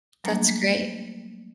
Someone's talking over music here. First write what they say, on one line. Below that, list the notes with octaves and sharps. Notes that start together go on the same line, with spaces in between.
That's great.
F#3 G3 A3 A#3 D4